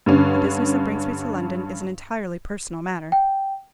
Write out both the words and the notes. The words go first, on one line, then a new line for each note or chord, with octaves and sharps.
The business that brings me to London is an entirely personal matter.
G2 D3 C#4
G5